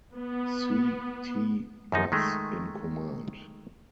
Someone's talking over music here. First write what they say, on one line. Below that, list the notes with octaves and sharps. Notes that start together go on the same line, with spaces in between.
C. T. Doss in command.
B3
F#2 F3 D#4
D#3 G#3 A3